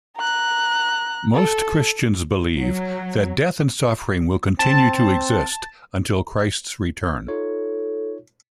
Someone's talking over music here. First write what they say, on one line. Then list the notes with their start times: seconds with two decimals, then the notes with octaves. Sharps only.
Most Christians believe that death and suffering will continue to exist until Christ's return.
0.17 A#5 F#6
1.34 A4
2.57 F#3
4.59 C4 A5
7.28 D#4 F4 A4 C#5